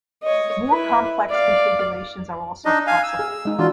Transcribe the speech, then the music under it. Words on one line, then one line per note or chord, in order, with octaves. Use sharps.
More complex configurations are also possible.
C#5 D#5
E4 B4
D5 F5
D4 D#4 D#5
F5 G#5
E6
G#4
G#3 D#4
E3 D4 F4 F#4